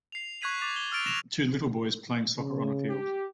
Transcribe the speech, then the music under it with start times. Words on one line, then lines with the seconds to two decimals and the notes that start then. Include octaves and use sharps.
Two little boys playing soccer on a field.
0.12 C7 F7
0.41 C#6 F#6 G#6 B6 D#7 F#7
0.61 D6 A6 F7
0.76 G7
0.92 E6 F6 A6 D7 F7
1.06 A#6 E7 F7
2.37 C#3
2.90 G4